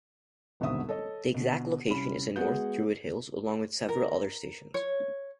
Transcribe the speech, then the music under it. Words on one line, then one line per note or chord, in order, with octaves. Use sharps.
The exact location is in North Druid Hills, along with several other stations.
D#1 G#1 B2 D3 E5 D#6
A4 C#5 D#5
B2 D3
C2 C#4 B5
G#3 B3 F#4 G#4 F#5 G6
A#4
C#5